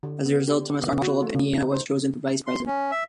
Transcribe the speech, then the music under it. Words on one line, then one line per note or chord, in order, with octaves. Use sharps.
As a result, Thomas R. Marshall of Indiana was chosen for Vice-President.
D3
B3
G4
D3
B3
F#4
A3
C#3
D#4
C5
C6
C#4
E5